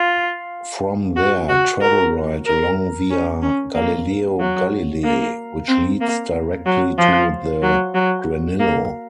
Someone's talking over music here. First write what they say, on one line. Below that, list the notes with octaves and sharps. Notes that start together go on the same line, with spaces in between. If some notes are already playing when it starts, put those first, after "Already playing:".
From there, travel right along via Galileo Galilei which leads directly to the Granillo.
Already playing: F4
F#4
F#4
A#4
A#4
C#4
C#4
A#3
F#3
A#3
C4
A#3
F#3
F3
F#3
F#3
A#3